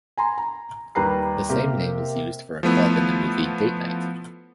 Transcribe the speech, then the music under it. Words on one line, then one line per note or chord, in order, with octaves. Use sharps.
This same name is used for a club in the movie "Date Night".
G#5 A#5 C6
A#5
D#2 G3 B4 A#5 C7
C3 A#3 C4 G4 A#4
F3 A3 B3 E4